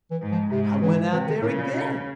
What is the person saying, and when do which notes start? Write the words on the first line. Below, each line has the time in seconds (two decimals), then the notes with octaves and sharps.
I went out there again.
0.11 E3
0.21 G#2
0.32 F3
0.51 G#2 C3
0.82 E3
1.12 C3 E3
1.28 D#3
1.42 A2 C#3
1.58 A#2
1.73 B2